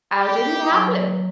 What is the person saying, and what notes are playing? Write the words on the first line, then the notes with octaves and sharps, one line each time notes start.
"How did it happen?"
G4
F#3